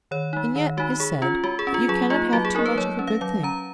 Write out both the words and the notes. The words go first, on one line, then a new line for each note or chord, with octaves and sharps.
And yet is said that you cannot have too much of a good thing.
D#3 C#5
G#3 D#4
D#3
G#3 D#4 F#4
G#3 G#4
C#4 F4
G#3 F#4
G#4
C#4
F4
F#3 G#4
A#3 D#4 F4
F#3 F#4
G#4
A#3 D#4 A#4
B4
F#3 C#5
C#4
F5
F#3 F5
C#4 A#5